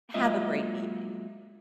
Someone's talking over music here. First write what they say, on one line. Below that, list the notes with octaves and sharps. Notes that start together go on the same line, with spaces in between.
Have a great evening.
F#3 G#3 A#3 F4 D#5 E5